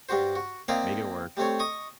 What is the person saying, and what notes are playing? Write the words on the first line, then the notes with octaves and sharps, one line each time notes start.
make it work."
G2 G3 D4 F#4 C5
F#4
A#3 C4 E4 D5 D#5 F5
G3 A3 C4 C#5
D#5 C#6 D#6